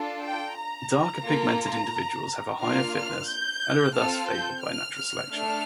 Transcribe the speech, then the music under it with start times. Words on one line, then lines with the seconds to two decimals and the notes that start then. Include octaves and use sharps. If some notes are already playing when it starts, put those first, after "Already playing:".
Darker pigmented individuals have a higher fitness and are thus favored by natural selection.
Already playing: D4 F4 A4
0.23 G5
0.57 A#5
1.24 A#3 F4 A4
2.60 A#3 D4 F4 F6
3.28 G6
3.96 C4 F4 A4 F6
4.30 G6
4.64 F6
4.97 F6
5.31 A3 D4 A4 F6